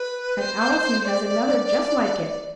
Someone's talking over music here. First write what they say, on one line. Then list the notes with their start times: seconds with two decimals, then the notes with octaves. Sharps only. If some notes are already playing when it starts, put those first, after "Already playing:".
And Allison has another just like it.
Already playing: B4
0.38 C5
1.05 D5